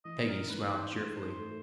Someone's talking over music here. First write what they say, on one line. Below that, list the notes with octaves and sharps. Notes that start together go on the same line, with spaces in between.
Peggy smiled cheerfully.
E3 D#5
A#4
G#2 B4
C5
G#2 C5
A3